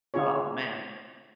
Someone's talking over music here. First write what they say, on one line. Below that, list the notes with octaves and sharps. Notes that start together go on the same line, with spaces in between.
Oh, man.
D3 C#4 F4 G#4 C#5